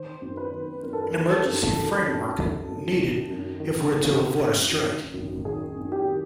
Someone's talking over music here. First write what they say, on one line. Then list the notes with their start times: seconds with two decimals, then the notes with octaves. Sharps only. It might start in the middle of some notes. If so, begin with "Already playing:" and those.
An emergency framework needed if we’re to avoid a strike.
Already playing: D#3 C5
0.22 F#2
0.37 B4
0.53 D#3
0.83 F#2 A#4
0.93 A4
1.03 A#4
1.14 D#3
1.29 A4
1.45 F#2
1.75 D#3 A4
2.07 F#2
2.37 D#3
2.68 F#2
2.99 D#3
3.30 F#2
3.60 D#3
3.92 F#2
4.22 D#3
4.53 F#2
4.84 D#3
5.14 F#2
5.45 D#3 G#4
5.76 F#2
5.92 G4
6.07 D#3